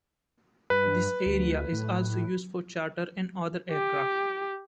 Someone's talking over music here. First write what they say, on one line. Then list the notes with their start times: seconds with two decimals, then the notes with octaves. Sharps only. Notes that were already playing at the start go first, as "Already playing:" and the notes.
This area is also used for charter and other aircraft.
0.70 G2 B4
1.26 D2
1.73 A2
3.71 G4